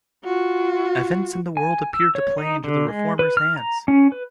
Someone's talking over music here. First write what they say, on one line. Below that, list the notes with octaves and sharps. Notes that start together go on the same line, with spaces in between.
Events in the world appeared to play into the reformers' hands.
F4 F#4
G#5
E6
C#5
D#4
D3
G#3
B4
F6
A#5
C#4
B4